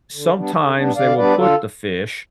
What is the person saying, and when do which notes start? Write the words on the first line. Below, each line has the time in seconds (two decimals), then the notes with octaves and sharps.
sometimes they will put the fish
0.14 D3
0.35 G3 B3 D4
0.55 D3
0.76 G3 B3 D4
0.96 D3 D5 F5
1.17 G3 B3 D4 B4 D5
1.37 D3 F4 A4